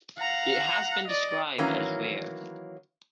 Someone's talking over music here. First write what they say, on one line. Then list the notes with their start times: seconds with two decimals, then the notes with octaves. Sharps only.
It has been described as rare.
0.19 F5 F#5 A#5
1.08 D5 D#5
1.58 D#3 E3 F#3 A#3 C#4